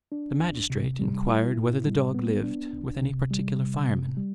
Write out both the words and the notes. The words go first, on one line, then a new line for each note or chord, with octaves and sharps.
The magistrate inquired whether the dog lived with any particular fireman.
D4
D2
C3
G3
E4
A2
G3
B3
D4
C2
C3
G3
C3
C3
G3